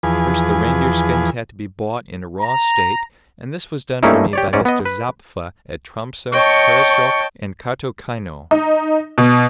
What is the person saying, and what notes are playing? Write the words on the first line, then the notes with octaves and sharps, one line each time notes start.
First the reindeer-skins had to be bought in a raw state, and this was done for me by Mr. Zappfe at Tromsoe, Karasjok, and Kaatokeino.
E2 F3 G#4 B4
A#5
G2 A3 A#3 C#4 D#4 E4
G4 C#5 D5
G#2 C#4 D5
B3 D#5
B4
C#5 D#5 G5 A5 C#6
D#4
B2